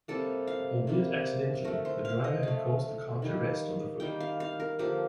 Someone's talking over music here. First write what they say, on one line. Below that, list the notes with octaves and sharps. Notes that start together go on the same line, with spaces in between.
Albeit accidentally, the driver had caused the car to rest on the foot.
C3 G3 A#3 A4
F5
C3 G3 A#3
D3 A3 A#4
C5
F5
D#5
D3 A3 F5
D#3 G3 A#3
D#3 G3 A#3 G5
F5
F5
A#4
D3 F3 A#3 G4